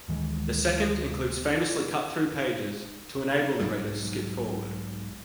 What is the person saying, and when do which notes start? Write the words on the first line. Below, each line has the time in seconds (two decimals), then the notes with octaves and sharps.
The second includes famously cut-through pages to enable the reader to skip forward.
0.08 D2 D#3 E3 G#3
3.59 B1 G#2 F#3 G3